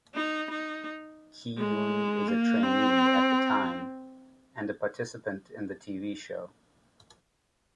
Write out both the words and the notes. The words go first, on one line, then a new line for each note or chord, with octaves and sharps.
Kihyun is a trainee at the time and a participant in the TV show.
D#4
D#4
G#3
A#3
C4